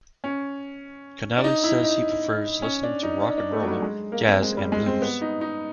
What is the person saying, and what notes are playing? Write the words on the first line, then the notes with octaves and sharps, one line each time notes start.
Connelly says he prefers listening to rock and roll, jazz, and blues.
C#4
D4
D#4
E4
D#4
C#4
D4
D#4
D4
D4
A3
F#3
G3
G#3
A#3
C4
G#3
G3
G#3
C4
B3
D#4
D#4